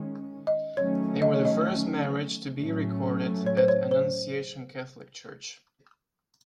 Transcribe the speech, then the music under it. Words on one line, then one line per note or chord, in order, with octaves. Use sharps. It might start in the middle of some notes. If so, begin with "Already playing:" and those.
They were the first marriage to be recorded at Annunciation Catholic Church.
Already playing: D#3 G#3 C#4
D#5
D#3 F#3 A3 C#4 C#5
D#5
C#5
D#5
A2 F#3 A3 C#4
C#5
C5
C#5
C5